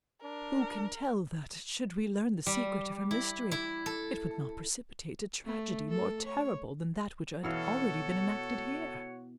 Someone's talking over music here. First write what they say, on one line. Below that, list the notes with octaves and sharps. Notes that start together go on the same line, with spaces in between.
Who can tell that, should we learn the secret of her mystery, it would not precipitate a tragedy more terrible than that which had already been enacted here?
D4 A#4
G3
E4
E4
A4
A3
A4
C#5
B2 E3 F#4 A4 C#5 F5